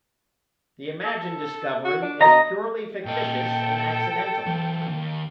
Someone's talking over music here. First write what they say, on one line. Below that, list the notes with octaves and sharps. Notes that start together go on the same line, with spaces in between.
The imagined discovery is purely fictitious and accidental.
A4
F#4
D4
B2 D#5 A#5 A#6
A#2 A4 D#5 G5
E3 F#3
D#2